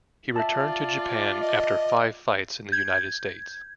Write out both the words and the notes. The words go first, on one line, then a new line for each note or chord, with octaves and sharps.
He returned to Japan after five fights in the United States.
F4 D5 E5 A5
D#5
G6 G#6